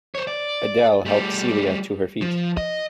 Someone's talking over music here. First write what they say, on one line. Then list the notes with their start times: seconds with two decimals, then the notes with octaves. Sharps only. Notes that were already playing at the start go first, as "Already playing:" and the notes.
Adele helped Celia to her feet.
0.15 C5 C#5
0.27 D5
1.05 G3 A3
2.21 F3
2.57 D#5